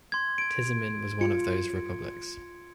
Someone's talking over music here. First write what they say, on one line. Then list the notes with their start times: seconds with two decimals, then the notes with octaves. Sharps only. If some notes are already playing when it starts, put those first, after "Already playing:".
Tizimin was one of those republics.
0.12 C6 G#6
0.38 G#6 D7
1.21 F4 C#7